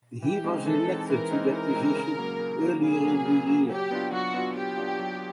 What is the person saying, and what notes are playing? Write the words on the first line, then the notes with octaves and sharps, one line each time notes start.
He was elected to that position earlier in the year.
E3 G4
G#3 C4 D#4
E3 A4
G#3 C4 D#4
E3 A#4
G#3 C4 D#4
E3 A#4
G#3 C4 D#4
C#3
F#3 A#3
C#3
F#3 A#3
C#3 G#4
F#3 A#3
C#3
F#3 A#3
F#3 G4
B3 D4 F4
F#3 F#4
B3 D4 F4
F#3 G4
B3 D4 F4
F#3